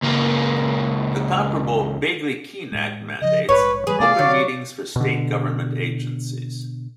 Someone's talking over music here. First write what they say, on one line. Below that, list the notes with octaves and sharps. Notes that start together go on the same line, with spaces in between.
The comparable Bagley-Keene Act mandates open meetings for State government agencies.
C#2 A#3
A2 G#3
C#3 F3 D#5
A#1 G#2 B4 C#5
E3 F3 G3 G#4 B4
C3 A3 B3 D5 F5
D3 F#3 D5
B2 D3